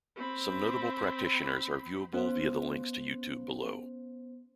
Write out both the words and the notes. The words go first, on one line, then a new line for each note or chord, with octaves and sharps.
Some notable practitioners are viewable via the links to YouTube below.
C4 B5
B3 C#4 C5